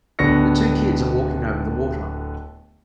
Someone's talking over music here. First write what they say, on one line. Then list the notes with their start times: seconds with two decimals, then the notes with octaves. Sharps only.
The two kids are walking over the water.
0.19 D1 D3 B3 C#6 A#6 C#7